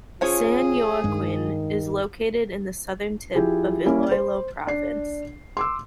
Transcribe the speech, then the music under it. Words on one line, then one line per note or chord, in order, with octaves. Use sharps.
San Joaquin is located in the southern tip of Iloilo Province.
F3 C#4 F4 G#4 C#5
G2 D#3 G#3
F3 E4 G4 G#4
A#3 C#4 E4 A#4
C5
D4 C7
C6 D6 E6